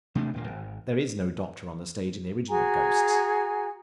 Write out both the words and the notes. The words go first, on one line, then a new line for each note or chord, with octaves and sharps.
There is no doctor on the stage in the original Ghosts.
C3 A3 D4
D1 A#2 A#3
G#1
F#4 G#4 G#5 A#5